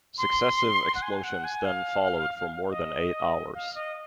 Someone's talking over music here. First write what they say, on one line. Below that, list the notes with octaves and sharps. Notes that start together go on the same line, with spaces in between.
Successive explosions then followed for more than eight hours.
C6
F#5
G#5
F#5
G#5
F5
D#5
F5
D#5